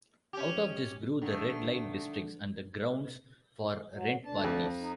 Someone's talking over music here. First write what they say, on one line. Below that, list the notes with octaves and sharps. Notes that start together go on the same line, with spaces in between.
Out of this grew the red light districts and the grounds for rent parties.
C#4 G4
D3 D#3 A3
F#3
D2 D4 A5
F2
D#4